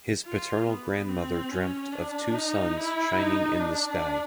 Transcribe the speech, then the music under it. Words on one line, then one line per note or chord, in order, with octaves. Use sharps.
His paternal grandmother dreamt of two suns shining in the sky.
F4
B3
C4
C#4
D4
D#4
E4
D#4
D4